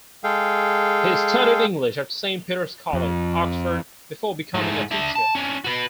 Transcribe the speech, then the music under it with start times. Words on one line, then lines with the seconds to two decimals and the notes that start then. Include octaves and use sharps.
He studied English at Saint Peter's College, Oxford, before becoming a teacher.
0.24 G#3 G#4 A4 F5 G5
2.93 F2
4.55 G#2 A3
4.91 D4 E5
5.16 A5
5.35 C#4 D4
5.64 F#4 B4